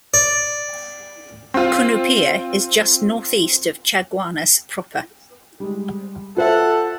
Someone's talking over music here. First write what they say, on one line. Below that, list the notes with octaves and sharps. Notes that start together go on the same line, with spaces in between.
Cunupia is just northeast of Chaguanas proper.
D5
C4 F4
G3 G#3
F4 A4 C5 E5 F#5